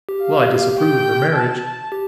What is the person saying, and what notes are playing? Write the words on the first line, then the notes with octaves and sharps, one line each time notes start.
Well, I disapprove of her marriage.
G4
F5
G5
A5
G4